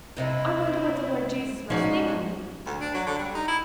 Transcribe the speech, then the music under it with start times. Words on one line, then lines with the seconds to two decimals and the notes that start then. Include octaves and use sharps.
I wonder what the Lord Jesus must think of me.
0.17 G2 C3 C4 E4 D#5
1.70 G#2 F3 C#4 F#4 D5
2.66 D2
2.81 D4
2.94 F#3
3.07 D3
3.19 G3
3.35 D#4
3.48 E4